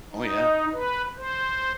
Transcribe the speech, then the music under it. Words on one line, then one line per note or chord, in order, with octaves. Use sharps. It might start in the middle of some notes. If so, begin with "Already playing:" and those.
Oh, yeah.
D#4
B4
C5